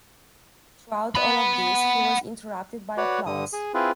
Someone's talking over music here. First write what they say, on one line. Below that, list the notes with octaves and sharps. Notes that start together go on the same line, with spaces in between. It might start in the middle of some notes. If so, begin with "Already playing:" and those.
Throughout all of this, he was interrupted by applause.
F#5 B5
F#4 B4 C#5 D5
G2 D3 D#6
G#4
C4 E4 F4 G#4 B4